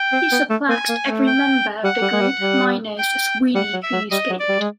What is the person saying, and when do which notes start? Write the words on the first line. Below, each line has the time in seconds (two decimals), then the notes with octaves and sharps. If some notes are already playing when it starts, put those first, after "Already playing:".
He suplexed every member of the group minus Sweeney who escaped.
Already playing: G5
0.12 C4
0.32 B3
0.50 A3
0.69 A#3 G#5
0.89 A#3
1.07 A3
1.26 G5
1.83 G3 F#5
2.02 G3
2.12 G#3
2.21 G3
2.41 G3
2.98 G5
3.55 G3 F#5
3.73 F#3
3.83 E5
3.93 F#3
4.11 G3 D#5
4.30 F#3
4.39 D5
4.49 G3
4.60 G#3